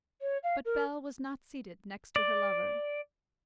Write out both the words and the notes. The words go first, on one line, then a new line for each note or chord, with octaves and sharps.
But Bell was not seated next to her lover.
C#5
F5
A#4
D5